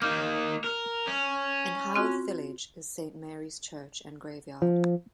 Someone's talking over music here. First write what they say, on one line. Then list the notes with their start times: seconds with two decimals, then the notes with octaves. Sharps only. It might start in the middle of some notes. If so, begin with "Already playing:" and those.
In Howth village is Saint Mary's Church and graveyard.
0.02 A#3 D#4 D6 F6 G6
0.64 A#4
1.07 C#4
1.96 C4 F4 F#4
4.62 F3